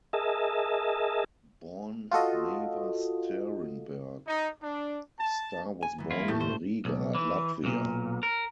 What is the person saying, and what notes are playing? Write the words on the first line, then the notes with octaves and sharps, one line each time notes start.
Born Nava Sterenberg, Starr was born in Riga, Latvia.
G#4 A#4 D#5 E5 A5
F4 F#4 A4 D#5
D#4
D4
A5
G#5
F#2 E3
A#3 E4 F4
A2 A3 G4
C#2 G2 C5
B1
E3
B1 A#2
A#4